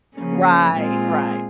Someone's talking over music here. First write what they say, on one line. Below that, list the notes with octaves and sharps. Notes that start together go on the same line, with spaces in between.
Right, right.
C#3 F3 A#3 C#4
A#2 G#3 C4 F4 G#4